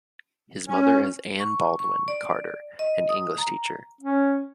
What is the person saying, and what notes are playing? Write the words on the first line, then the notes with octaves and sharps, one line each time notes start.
His mother is Anne Baldwin Carter, an English teacher.
C#4
C#6
C#6
D5
D#5
D#6
A#5
C#4